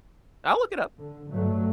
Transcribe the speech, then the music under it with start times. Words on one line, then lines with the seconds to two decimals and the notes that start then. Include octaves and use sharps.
I'll look it up.
0.99 D3
1.30 G2 F#3 A3